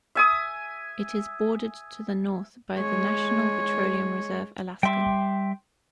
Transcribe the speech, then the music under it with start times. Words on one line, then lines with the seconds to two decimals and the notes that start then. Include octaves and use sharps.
It is bordered to the north by the National Petroleum Reserve-Alaska.
0.15 E5 G#5 D#6
2.77 G#3 C#5
4.83 G3 E5 G5 C6 D6